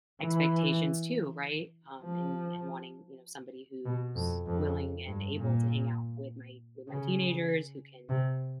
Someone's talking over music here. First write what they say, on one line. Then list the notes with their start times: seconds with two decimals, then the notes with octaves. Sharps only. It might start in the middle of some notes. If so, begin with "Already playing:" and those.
expectations, too, right? Um, and and wanting, you know, somebody who's willing and able to hang out with my with my teenagers, who can,
0.22 E3
2.04 F3
3.85 B2
4.15 F2
4.46 F2
5.06 G2
5.37 A#2
6.89 C#3
8.09 C3